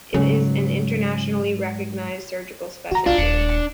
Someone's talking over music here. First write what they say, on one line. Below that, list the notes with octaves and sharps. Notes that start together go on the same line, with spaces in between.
It is an internationally recognized surgical specialty.
G#2 C#3 F#3
D3 F#4 A#5
A#1 D4 F4
D#1 C#7